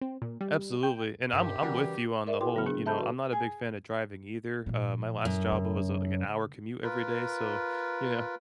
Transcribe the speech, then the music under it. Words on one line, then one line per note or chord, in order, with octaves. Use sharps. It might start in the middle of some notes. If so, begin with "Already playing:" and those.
Absolutely, and I'm I'm with you on the whole you know, I'm not a big fan of driving either. Uh, my last job was, uh, like, an hour commute every day, so, you know
C4
A#2
G3
G5
G2 D#3 G4
C#3 E3 G3 F#4 A#4
A#4 D5 E5
E4 F#4 G#4 B4 G5 C6
C#3 F#3 B3 B5 F6
D4 G#4
A4 E5 A5 B5 G6
F#4 B4
G#4
A#2 F3
F#2
C#3
F4 A#4 B4